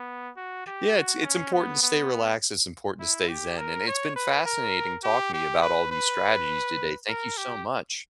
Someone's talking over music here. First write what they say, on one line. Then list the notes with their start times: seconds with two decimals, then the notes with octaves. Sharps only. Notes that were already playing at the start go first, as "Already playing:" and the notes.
Yeah, it's it's important to stay relaxed, it's important to stay zen, and it's been fascinating talking to you about all these strategies today, thank you so much.
Already playing: B3
0.37 F#4
0.67 G4
0.96 F#4
1.24 C#4
1.53 B3
1.82 B3
3.00 E4
3.29 G4
3.58 A#4
3.87 C#5
4.16 B4
4.46 A#4
5.04 G4
5.34 G4
5.62 B4
5.91 B4
7.08 A#4
7.37 G4